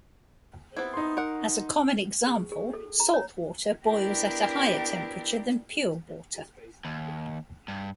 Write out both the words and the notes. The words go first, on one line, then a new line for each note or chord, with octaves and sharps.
As a common example, salt water boils at a higher temperature than pure water.
B3 C4 E4
D#4 C6
A#4 F#5
G#4
G#4
A4
A#5
C#5
B3 D4 E4 G4 A#4
D#2
G2